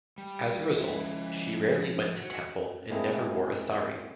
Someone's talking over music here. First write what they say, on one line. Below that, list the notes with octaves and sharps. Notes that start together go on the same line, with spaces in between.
As a result, she rarely went to temple and never wore a sari.
G3
C#2 F3 E4 E5
F#3
G#3 A#3 C4 E4 G#4 A4